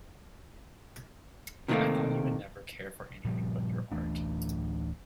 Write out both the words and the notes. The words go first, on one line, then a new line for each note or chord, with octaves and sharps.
I thought you would never care for anything but your art.
C3 D#3 F#3 G3 A3 A#3
A#2 F3 G3
D1 E3 A3 D4